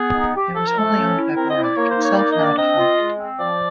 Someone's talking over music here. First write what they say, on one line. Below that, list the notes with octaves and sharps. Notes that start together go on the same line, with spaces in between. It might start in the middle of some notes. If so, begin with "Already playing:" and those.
It was wholly owned by Bouraq, itself now defunct.
Already playing: B3 G#4
D#4
G4
F3 A4
A#4
A3 A4
C#4
E4
C4 A#4
D#5
E4
D5
A#3 C#5
C5
D#4
C#5
A#3 D5
D#5
D4
D5
C4 D#5
F4
G#3
C4
F3 D5